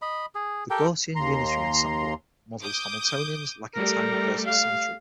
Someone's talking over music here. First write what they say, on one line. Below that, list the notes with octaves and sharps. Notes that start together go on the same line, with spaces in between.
The Gaussian unitary ensemble models Hamiltonians lacking time-reversal symmetry.
D#5 B5
G#4
G4 A4 A#4 G5
D#2 A#5 C6
D6 D#6 G6
G3 A3 A#4
F5